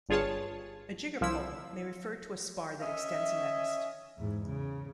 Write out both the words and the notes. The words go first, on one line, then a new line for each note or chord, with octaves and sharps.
A jiggerpole may refer to a spar that extends a mast.
G1 G2 F4 G#4 C#5 A5
C2 F3 E4 E6
C#4 D#5 E5
E2 G#2
C#3